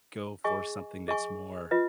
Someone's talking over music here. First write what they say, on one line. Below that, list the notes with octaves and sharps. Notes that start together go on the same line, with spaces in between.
go for something that's more
G#4 D#5 G#5 C#6
G#4 D#5 G#5 C#6
F4 B4 D#5